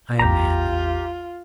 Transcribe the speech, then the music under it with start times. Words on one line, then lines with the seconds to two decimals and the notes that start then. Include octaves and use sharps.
I am happy.
0.19 A1 E2 F4 G4 A#5